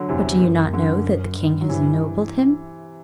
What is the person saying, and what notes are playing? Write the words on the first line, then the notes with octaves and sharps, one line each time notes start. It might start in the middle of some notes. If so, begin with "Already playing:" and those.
But do you not know that the king has ennobled him?
Already playing: D3 F#3
E2 C3 E3
F#2
D3
G2
F#3
G2 C3 E3